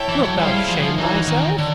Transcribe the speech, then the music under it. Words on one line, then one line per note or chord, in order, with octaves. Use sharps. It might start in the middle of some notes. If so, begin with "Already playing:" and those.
Wilt thou shame thyself?
Already playing: E4 A4 C#5 E5 G5
E3
F#3
G3 E4 G#4 C5 F5
F3
F#3
F3
E3 D#4 F#4 A#4 C#5
D#3
D3